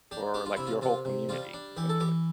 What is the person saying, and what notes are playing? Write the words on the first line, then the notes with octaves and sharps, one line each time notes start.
for, like, your whole community, essentially.
D4 G4
D4 G4
F4
C3 E4
F4
C3 F4
C3
G3 F4
D4
E3 G4
A4
E3 G4